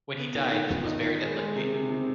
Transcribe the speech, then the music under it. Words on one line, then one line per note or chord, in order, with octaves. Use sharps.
When he died, he was buried at Ludgate.
B3
D#3
D#3
B3
D#4
D#3
G#3
G#3
C3
C3
C3